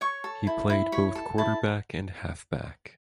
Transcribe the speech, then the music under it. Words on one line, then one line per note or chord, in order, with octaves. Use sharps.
He played both quarterback and halfback.
C#5 C#6
A4
E4
E4
C#5 B5
A4
E4 A5